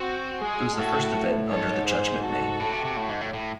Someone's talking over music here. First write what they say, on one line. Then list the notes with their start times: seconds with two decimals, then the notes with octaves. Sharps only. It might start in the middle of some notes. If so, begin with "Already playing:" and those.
It was the first event under the Judgement name.
Already playing: C4 F#4
0.41 G#3 G#4
0.77 A2 F#4 A4
1.51 G#2 A4 C#5
1.87 G#4 C5
2.23 F#4 A4
2.60 A2
2.72 C3
2.85 C3
2.97 A2
3.09 G#2
3.21 A2
3.33 A2